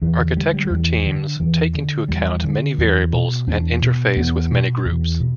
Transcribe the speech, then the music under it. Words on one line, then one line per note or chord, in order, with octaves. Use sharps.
Architecture teams take into account many variables and interface with many groups.
E2 E3
D3
D3 G3
G3
G3
E2 E3
D3
E2 E3
D3
E2 G3
D3
E2
B2
E2 D4
B2
E2 B3
B2
E2
B2